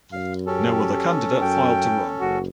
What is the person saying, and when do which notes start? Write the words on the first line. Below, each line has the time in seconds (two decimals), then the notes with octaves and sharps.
No other candidate filed to run.
0.13 F#2 F5
0.47 C#4 G4 A4
1.41 F#2 G5
2.21 F#1 F#4